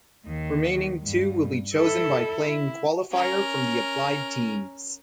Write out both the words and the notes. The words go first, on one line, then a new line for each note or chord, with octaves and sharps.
Remaining two will be chosen by playing qualifier from the applied teams.
D#2 D#3
G2
E4 A4
E4
C#4 A#4